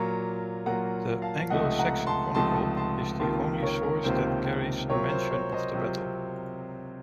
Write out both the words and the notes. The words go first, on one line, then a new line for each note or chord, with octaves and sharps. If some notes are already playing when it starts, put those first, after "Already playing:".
The "Anglo-Saxon Chronicle" is the only source that carries a mention of the battle.
Already playing: A#2 F#3 A#3 F4 A#5 C#6
A#2 F#3 A#3 F4 F#5 A#5
F5 A5
C#2 C3 F3 A3 D#4 D#5 F#5
F#5 A#5
A5 C6
C#2 C3 F3 A3 D#4 A5 C6
A5 C6
C#2 C3 D#3 A#3 F4 A5 C6
A#4 C#5
A#4
C#2 C3 D#3 A#3 F4 C5
C3 F#3 C4 F4 A#4 C#5
C5
A#4 C#5
C5 D#5
C3 F#3 C4 F4